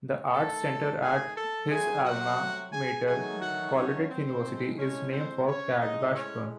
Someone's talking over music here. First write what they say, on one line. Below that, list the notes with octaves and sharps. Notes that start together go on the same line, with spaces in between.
The arts center at his alma mater, Gallaudet University, is named for Cad Washburn.
D#3 A3 A4 A5
G#4 G#5
A4 A5
C3 F#3 A3 G#4 G#5
F#4 F#5
G#4 G#5
D#3 F#3 A3 G#4 G#5
F#4 F#5
C#4 C#5
C4 C5
A2 G#3
C#4 C#5
C4 C5
C#4 C#5
A2 G#3 D#4 D#5
C#4 C#5